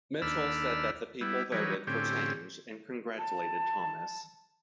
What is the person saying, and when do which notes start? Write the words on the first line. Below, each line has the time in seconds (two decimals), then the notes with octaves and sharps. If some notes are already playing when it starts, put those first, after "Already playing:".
Mitchell said that the people voted for change and congratulated Thomas.
0.22 D#2 D4 B5 E6 F6
1.21 G3 B3 E4
1.52 E3 F#3 G3 D#4 B4 C#5
1.87 A2 D3 C4 C#4 G4
3.18 A5